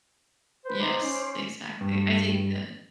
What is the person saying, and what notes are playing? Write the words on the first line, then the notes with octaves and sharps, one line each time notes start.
Yes, exactly. I think, uh
B4 C5
D#4 C5 D6
C#4
G2